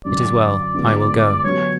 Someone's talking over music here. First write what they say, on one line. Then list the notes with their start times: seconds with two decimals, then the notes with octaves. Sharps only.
"It is well; I will go."
0.05 F#2 D3 F#3 D5
0.74 D3 G#3 B3 F4
1.43 D2 D3 F#3 B3 C#5